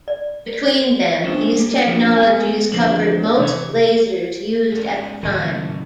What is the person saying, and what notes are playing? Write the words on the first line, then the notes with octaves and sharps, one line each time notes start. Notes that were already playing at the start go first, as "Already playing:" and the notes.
Between them, these technologies covered most lasers used at the time.
D5
G#3 B3 C#4 D4 C5 G5
G3 A#3
F3 A#3 C4 D4 F4 F#4
G#3 B3 G#5
E2 D3 F3 C4 A4 B4
C3 E3 C#5
G#2 C#4
F#2 A2 D#3 A#3
F#2 C#3